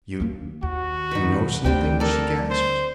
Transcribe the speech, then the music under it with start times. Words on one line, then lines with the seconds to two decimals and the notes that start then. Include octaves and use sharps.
"You--you know something?" she gasped.
0.20 D#2 A#3
0.63 D#2 F#4
1.11 D#4 B4
1.64 D2 G3 C4 D4 G5
2.00 A4 A#4 D5
2.50 C5